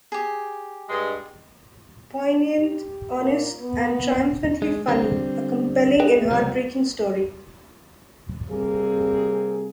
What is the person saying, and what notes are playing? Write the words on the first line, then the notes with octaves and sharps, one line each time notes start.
Poignant, honest and triumphantly funny... A compelling and heartbreaking story.
G4 G#4
G2 G#3
G4
A#2
B3
G#3
D3 G3 C4
G#4 B4 D#5 G5
C#2 C3 F3 G3 B3 C4
C3 G3 A#3 C4 G#4